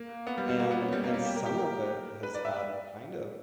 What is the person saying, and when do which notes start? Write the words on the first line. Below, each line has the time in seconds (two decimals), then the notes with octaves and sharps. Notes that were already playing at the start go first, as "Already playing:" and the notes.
and and some of it has had kind of
Already playing: A#3
0.27 B3
0.38 G3
0.49 G3
0.59 A#3
0.71 B3
0.81 C#4
0.92 G3
1.04 A#3
1.14 A#3
1.25 G4
1.36 A#4
1.46 G4
1.58 A#4
2.23 B4
2.34 D5
2.45 E5